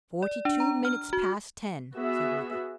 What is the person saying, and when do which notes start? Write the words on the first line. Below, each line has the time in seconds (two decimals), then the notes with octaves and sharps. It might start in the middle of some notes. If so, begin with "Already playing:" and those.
"Forty-two minutes past ten!" said Nicholl.
0.23 D5
0.45 D4
0.60 A#5
0.85 F6
1.13 F#4
1.93 B3 F#4 G#4 E5